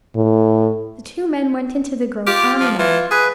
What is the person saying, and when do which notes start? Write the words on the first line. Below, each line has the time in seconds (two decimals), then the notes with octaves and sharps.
The two men went into the grove arm-in-arm.
0.15 A2
2.27 F4 G4 D6 F6
2.60 F3
2.79 E3 F4
3.11 G#4 B4